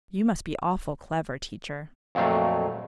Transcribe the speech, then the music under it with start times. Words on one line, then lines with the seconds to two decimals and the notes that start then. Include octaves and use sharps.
You must be awful clever, teacher.'
2.15 F2 A#2 F#3 A3 F5